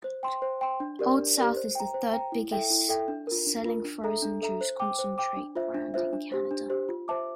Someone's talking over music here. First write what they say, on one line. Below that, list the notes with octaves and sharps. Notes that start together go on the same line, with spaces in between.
Old South is the third-biggest selling frozen juice concentrate brand in Canada.
C5
G5 C6
C5
G5 C6
D4
G4 A#4 D5
D4
G4 A#4 D5
C5
G5 A#5
C5
G5 A#5
E4
A4 E5 G5
E4
A4 E5 G5
D4
F4 A#4
D4
F4 A#4
D4
A4 E5 A#5
D4
A4 E5 A#5
C5
G5 D6
C5
G5 D6
D4
F4 C5 E5
D4
F4 C5 E5
D4
G4 C5
D4
G4 C5
F4
C5 E5 A5 D6